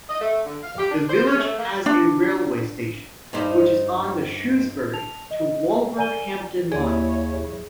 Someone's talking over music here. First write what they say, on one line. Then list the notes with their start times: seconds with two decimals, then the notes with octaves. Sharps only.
The village has a railway station, which is on the Shrewsbury to Wolverhampton Line.
0.08 D#5
0.21 A3
0.45 D3
0.63 F5
0.78 G4
0.90 D4
1.09 C5
1.26 C#4
1.39 A3
1.57 A#3
1.86 D4
3.33 G2 D#4 C5
4.94 A5 F7
5.31 D#5
5.98 D5 G#5 A#5 D#7 G7
6.72 D#2 E4 G#4 C#5 D5 G#5